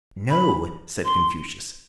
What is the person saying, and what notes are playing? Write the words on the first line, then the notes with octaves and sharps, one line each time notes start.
"No," said Confucius.
B5
C6